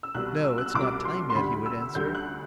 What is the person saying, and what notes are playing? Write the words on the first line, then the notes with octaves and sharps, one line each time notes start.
"No, it's not time yet . . ." he would answer.
E6
C2 B2 G3 F#6
E6
F#6
E6
C2 B2 G3 D6
C6
C6
D2 D3 G3 B5
E6
D2 D3 G3 G6
F#6